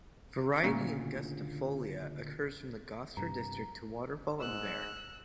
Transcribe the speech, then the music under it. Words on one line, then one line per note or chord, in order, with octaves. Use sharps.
Variety "angustifolia" occurs from the Gosford district to Waterfall and var.
D2 A#2 C#3
G2 C3 A#5
G#2 E6 F#6